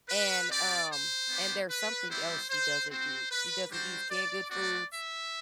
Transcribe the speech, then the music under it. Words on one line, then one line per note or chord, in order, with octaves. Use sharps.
and, um, and there's something else she doesn't use. She doesn't use canned good foods,
B4
C4 G4 D5
C5
B3 D4 G4
B4
G3 B3 E4 G4 C5
C5
C4 F#4 C5
B4
G3 D4 F#4 C5
D5
A3 C4 F#4 D5
E5